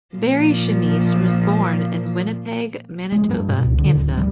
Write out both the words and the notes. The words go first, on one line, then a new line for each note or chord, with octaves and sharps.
Barry Chamish was born in Winnipeg, Manitoba, Canada.
A#2 F3
G#3
G2
B2
C#2
D3
D1
G3